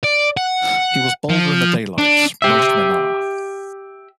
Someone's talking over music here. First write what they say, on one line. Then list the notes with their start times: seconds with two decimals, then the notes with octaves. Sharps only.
He was bolder in the daylight — most men are.
0.04 D5
0.37 F#5
1.29 F3
1.98 D4
2.42 G4 E5